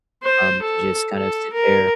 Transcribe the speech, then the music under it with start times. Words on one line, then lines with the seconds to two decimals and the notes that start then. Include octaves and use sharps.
um, to just kind of sit there,
0.24 C5
0.62 A4
1.16 A4
1.53 A#4